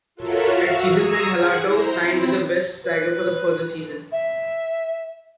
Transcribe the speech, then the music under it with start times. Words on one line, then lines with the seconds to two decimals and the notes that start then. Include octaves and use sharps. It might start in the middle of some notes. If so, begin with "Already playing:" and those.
At season's end, Halatau signed with the Wests Tigers for a further season.
0.15 F4 F#4 A4 A#4 C#5 E5
0.48 F#4 E5 F5
0.86 A#5 C#6 D#6 E6 G#6
1.27 G#4 F#5 G#6
1.63 E4 C5 A#5
1.99 C4 E4
2.84 B4
4.12 E5